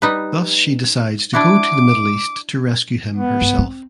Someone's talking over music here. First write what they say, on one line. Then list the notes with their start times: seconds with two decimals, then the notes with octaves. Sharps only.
Thus she decides to go to the Middle East to rescue him herself.
0.02 G3 D#4 B4
1.33 D4 E4 F#4 D6
3.16 B3
3.41 G2
3.58 C4